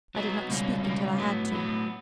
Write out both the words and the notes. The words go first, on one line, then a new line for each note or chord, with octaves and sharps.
I did not speak until I had to.
F#3 B3 D#4 F#4
C#2 B2 G3 A#3 C#4
C#2 B2 G3 A#3 C#4
A2 F#3 B3
A2 F#3 B3